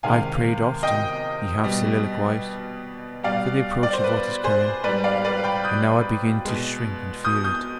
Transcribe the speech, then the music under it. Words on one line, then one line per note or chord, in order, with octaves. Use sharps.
'I've prayed often,' he half soliloquised, 'for the approach of what is coming; and now I begin to shrink, and fear it.
C3 D#3 G#3 F5 G#5
D#5 G5
B2 G3
B2 G3 D5 F5
D5
C5
B4
G#4 C5
G#2 G3 B4 D5
D5 F5
B4 D5
G5 B5
D#6 G6
B2 G#3
D#6 G6
D#6 G6